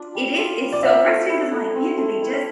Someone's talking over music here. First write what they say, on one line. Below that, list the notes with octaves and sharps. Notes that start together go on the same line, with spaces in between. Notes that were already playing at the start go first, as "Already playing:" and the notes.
it is, it's so frustrating, 'cause I'm like, "Man, did they just,
Already playing: D4 F4
G3
F4
G3
D5
C4 C5 E5
A3
E4
A3
C4
A3
E4